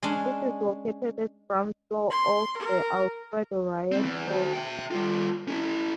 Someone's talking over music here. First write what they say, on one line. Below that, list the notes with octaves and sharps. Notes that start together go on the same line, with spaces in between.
It is located at the Ground Floor of the Alfredo Reyes Hall.
G#3 C#4 D4
C6
A#4
G3 C4
E2
F#4 C5
E5 G5
G3 F4
C#4 E4